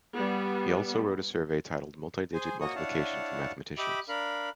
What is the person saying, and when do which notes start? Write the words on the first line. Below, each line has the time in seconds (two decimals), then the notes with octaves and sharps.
He also wrote a survey titled "Multidigit multiplication for mathematicians".
0.14 G3 B3
2.34 G#4 C5 G#5
2.61 A#3 F#4 C#5 D#5 C#6 D#6
2.75 D4 E4 C#5 F5 F#5 A5
3.78 G4 D#5 E5 B5 D6
4.09 D4 A#4 F5 B5